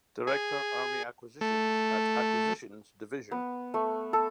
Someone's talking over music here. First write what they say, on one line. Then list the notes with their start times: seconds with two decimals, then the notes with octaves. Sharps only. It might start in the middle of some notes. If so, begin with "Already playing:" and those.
Director Army Acquisitions at Acquisitions Division.
0.27 G#4
1.41 A3
3.31 B3
3.74 A3
4.13 A4